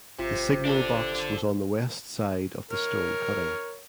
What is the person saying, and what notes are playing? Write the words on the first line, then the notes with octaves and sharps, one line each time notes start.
The signal box was on the west side of the stone cutting.
G#1 C3 F4 B6
D4 A4
A#4 C#5